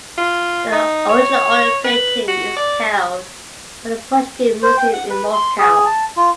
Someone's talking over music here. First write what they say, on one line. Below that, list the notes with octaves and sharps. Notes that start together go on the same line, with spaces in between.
The original oil painting is held by the Pushkin Museum in Moscow.
F4
D#4
C#5
B4
F#4
D5
C5
G5
F#5
B4
C6
G#4
A5
F4